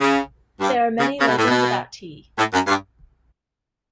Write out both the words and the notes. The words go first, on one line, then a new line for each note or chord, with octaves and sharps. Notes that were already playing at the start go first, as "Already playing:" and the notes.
There are many legends about tea.
C#3
G2
C#3
C#3
B2
A2
B2
A2
F#2
G2